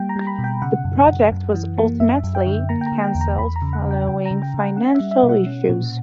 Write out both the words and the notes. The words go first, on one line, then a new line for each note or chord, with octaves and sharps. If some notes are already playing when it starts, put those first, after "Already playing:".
The project was ultimately canceled following financial issues.
Already playing: G3 A#3 G5
A#5
G3
A#5
B5
B2
G5
C#3 F#5
F#2
F#2
F#2
E3
A#3
F#2 E5
F#2
G5
D3
A#3 A#5
G5
A#5
D3
G5
E2
A#5
E2 B5
A#5
C#3
F#5
C#3
G5
C#3 G5
A#5
C#3
G5
C#3
F#5
C#4 F#5
E5
G3
E5
B2
F#5
C#4
A#2